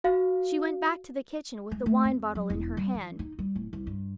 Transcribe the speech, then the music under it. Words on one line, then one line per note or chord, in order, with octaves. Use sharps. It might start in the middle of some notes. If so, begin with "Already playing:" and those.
She went back to the kitchen with the wine bottle in her hand.
F#4 F5
G#3
A3
F2
F#3
E1
G3
E3
D#4
G3
D1
C2
G2